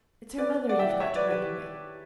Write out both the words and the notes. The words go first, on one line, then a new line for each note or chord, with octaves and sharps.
It's her mother you've got to reckon with.
B4 D5
D5 F#5
E5 G5
D5 F#5
C#5 E5
B4 D5
G4 B4